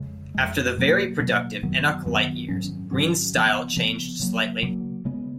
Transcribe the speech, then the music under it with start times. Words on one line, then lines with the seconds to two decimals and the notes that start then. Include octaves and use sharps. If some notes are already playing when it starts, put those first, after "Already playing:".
After the very productive Enoch Light years, Green's style changed slightly.
Already playing: F2 C#3 G#3
0.35 F2 C#3 G#3
0.78 B2 F#3 A#3
1.20 B2 F#3 A#3
1.63 F#2 D#3 F#3 B3
2.06 F#2 D#3 F#3 B3
2.48 G#2 D#3 F#3 C#4
2.91 G#2 D#3 F#3 C#4
3.34 C#3 F3 B3
3.76 C#3 F3 B3
4.20 C#3 F#3 A#3
4.63 C#3 F#3 A#3
5.05 C#3 G#3 B3